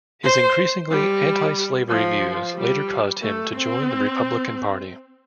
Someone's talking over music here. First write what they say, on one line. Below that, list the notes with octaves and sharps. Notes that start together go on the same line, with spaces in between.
His increasingly antislavery views later caused him to join the Republican Party.
C5
G3
F3
G3
A3
C4